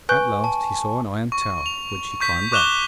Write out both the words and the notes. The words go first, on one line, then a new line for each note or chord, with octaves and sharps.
At last he saw an iron tower which he climbed up.
B4 G#5 C#6 F#6 G6
A5
C#6
F7
C#6 G6 B6
C#6 D6 F#6 E7 F7 G7